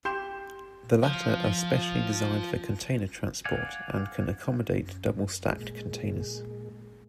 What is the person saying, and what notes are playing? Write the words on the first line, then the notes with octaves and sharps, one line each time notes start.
The latter are specially designed for container transport, and can accommodate double-stacked containers.
G4 C6 G6 E7
F3 F4
D5 F5 F#5 G#5
F#2
A#2 G#3